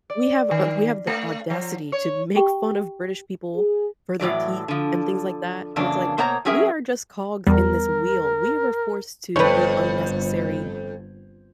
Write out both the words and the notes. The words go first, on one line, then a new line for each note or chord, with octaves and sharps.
we have a we have the audacity to make fun of British people for their teeth and things like that, when it's like, we are just cogs in this wheel, we were forced to do unnecessary
D5
D#3
A3
F3
C#5
G4 G5 C#6
G#4
A2 E3 F#3 D5
D3 F3
F2 C#3 E3 F#3 A#3 D4
B2 A#3 B3 C5 C#5 A#5
F#3 C4 C#4 G#4 A#4 E5
E2 G3 A#4
G1 F2 G#2 B4 C#5